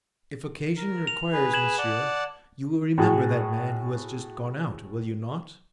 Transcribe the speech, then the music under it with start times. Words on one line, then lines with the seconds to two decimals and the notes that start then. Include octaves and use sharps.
"If occasion requires, monsieur, you will remember that man who has just gone out, will you not?"
0.77 A#4
1.07 F7
1.33 G#4 B4
1.53 G#6 E7 F#7
1.78 D5 F#5 A5
2.98 A2 F#4 G#4